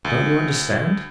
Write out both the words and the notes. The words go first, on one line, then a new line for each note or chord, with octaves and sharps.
Don't you understand?
D2